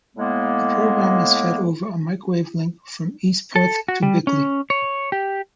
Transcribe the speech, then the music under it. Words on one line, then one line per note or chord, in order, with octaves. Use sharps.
The programme is fed over a microwave link from East Perth to Bickley.
A2 G#3 A#3 B3
A4
F#4
G3
C#4
C#5
G4